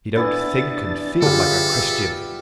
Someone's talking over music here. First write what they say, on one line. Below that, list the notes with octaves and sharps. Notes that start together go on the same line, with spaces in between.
He don't think and feel like a Christian.
E3 B3 D4 E4 A6
D3 G3 F4 G#4 A4 E5